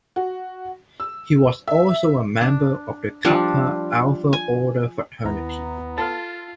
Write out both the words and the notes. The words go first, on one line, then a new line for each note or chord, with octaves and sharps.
He was also a member of the Kappa Alpha Order fraternity.
F#4
E6
E5
D4
F3 G3 D4
G#5
D#2 B3 E4 A#5
F4 A4 F5 A6